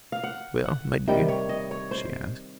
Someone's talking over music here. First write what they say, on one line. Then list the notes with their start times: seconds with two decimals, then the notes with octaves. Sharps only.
"Well, my dear?" she asked.
0.12 F5
0.24 F#5
0.65 F#5
1.07 C3 D#3 G3 G5
1.28 C#5
1.49 D#5
1.71 C#5
1.91 C5